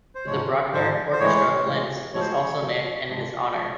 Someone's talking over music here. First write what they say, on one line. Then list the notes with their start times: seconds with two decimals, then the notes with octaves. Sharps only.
The Bruckner Orchestra Linz was also named in his honor.
0.15 C5
0.26 G#2 F3 G#3 C#5
0.73 G#2 F3 G#3 C5
1.12 C5
1.20 A2 E3 G#3 C#5
1.66 A2 E3 G#3
2.13 A2 F3 G#3 C#5
2.21 C5
2.28 C#5
2.60 A2 F3 G#3
3.07 G#2 F3 G#3
3.53 F3 G#3